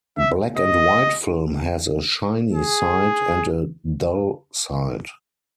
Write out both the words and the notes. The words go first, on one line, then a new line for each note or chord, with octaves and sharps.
Black-and-white film has a "shiny" side and a "dull" side.
E5
D#5
G#4